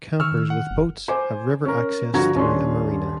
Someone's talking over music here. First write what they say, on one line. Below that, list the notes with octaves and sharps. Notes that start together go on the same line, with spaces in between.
Campers with boats have river access through a marina.
D#3 C#6 E6 F6
F#5
F#1
C5 G#5 D6
C#4 A#4
G2 D3 F3 F#4 A#5 G#6
D#1 C#4 D4 C6